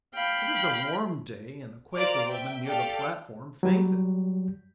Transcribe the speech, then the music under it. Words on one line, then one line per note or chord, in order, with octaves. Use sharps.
It was a warm day and a Quaker woman near the platform fainted.
F5 G5 B5
A#4 C5 D5 F5 D6 F6
E5 G5
G4 A4 D5 F5 G5
F#3 G3